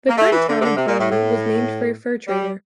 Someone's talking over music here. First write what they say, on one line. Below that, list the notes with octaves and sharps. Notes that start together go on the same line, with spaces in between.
The current town of Birney was named for a fur trader.
A#3
A3
E3
D3
C3
D3
C3
A#2
A2
A2
G3